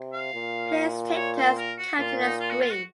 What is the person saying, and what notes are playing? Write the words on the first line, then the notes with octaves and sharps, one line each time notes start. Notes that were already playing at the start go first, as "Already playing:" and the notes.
Players take turns cutting a string.
Already playing: C3
F5
A#2
C#5
C5
A#4
F#4
A#2 F4
D#4
F4
F#4
F4
F#4